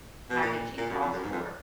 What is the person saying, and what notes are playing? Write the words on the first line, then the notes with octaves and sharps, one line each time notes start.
packaging calls for.
B2
A#2
A#2
F#2
F2
F#2
G#2
F2